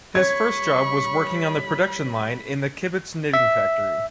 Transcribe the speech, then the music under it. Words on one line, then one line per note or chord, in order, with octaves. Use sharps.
His first job was working on the production line in the kibbutz knitting factory.
G3 C#5 B5 C#6 G#6
E5